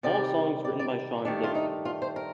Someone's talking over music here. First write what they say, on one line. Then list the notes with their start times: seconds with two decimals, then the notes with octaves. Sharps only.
All songs written by Sean Dickson.
0.03 C3 D#3 G3 D5
0.64 D5
0.79 D5
1.25 G2 D#3 A3 D4
1.44 F4
1.55 D#4
1.85 F4
2.02 C5
2.16 A#4